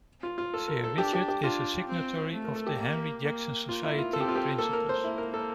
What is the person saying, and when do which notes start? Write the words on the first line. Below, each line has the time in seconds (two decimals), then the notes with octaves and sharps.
Sir Richard is a signatory of the Henry Jackson Society principles.
0.23 F4
0.38 F4
0.54 A4
0.68 A#4
0.84 A4
0.98 D4 G4
1.13 G4
1.28 G4
1.43 D4 F4
1.88 C4
2.33 A3
2.45 A#4
2.56 A4
2.67 G4
2.79 A#3
3.23 A#3
3.69 A#3 F4
3.83 E4
3.98 F4
4.13 C4 A4
4.20 G4
4.28 F4
4.36 G4
4.58 A#3 A4
4.73 A#4
4.89 C5
5.03 A#3 E4
5.18 A#4
5.34 A4